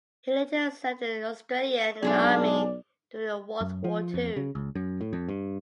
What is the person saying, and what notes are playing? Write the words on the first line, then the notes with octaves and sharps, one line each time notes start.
He later served in Australian in the Army during World War Two.
B1 G#3 D4 G#4 D5
F#2
F3
F2
C#3
C#2
F#2
A2
F2
G2